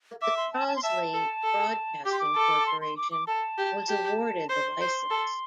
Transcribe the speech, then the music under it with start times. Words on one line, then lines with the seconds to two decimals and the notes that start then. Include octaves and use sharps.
But the Crosley Broadcasting Corporation was awarded the license.
0.22 E5 D6
0.37 C6
0.53 A5
0.68 A5
0.76 C6
0.83 E5 A5
1.14 A4
1.44 A4
2.05 G4 D6
2.12 C6
2.19 D6
2.35 A4
2.66 C6
2.81 C6
2.97 D6
3.12 D6
3.27 A4 A5
3.58 G4
3.89 G4
4.49 C5 C6
4.81 C5
5.10 A4